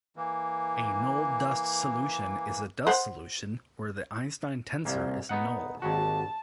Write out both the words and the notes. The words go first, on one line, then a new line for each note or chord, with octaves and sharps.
A null dust solution is a dust solution where the Einstein tensor is null.
E3 A#3
C5 F#5
C2 A#3
B3 D#4 F#5
G#1 D#2 F#4 A5